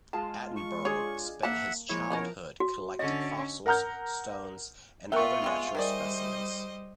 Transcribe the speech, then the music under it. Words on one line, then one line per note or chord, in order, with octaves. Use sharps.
Attenborough spent his childhood collecting fossils, stones and other natural specimens.
G#3 F4 A5
C#6
D4 G#4 C#5
A#3 E5 F#5 A5
F3 G#3 A#3 E4 C#5
C#3 F3 B3 C#4 A#4
F#4
D3 C#4 D#5
A#4 F#5 A#5 F6 G6
B3 F4 A#4 E5 F#5 G5 C#6
C3 G3 G#3
D#3 G3 G#4 C5 D5 D#5